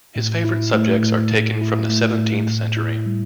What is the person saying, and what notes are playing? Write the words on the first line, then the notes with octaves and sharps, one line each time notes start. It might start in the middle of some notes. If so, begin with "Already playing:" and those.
His favorite subjects are taken from the seventeenth century.
A2
E4
A3
A2
A2
E4
A3
A2
A2
E4
G3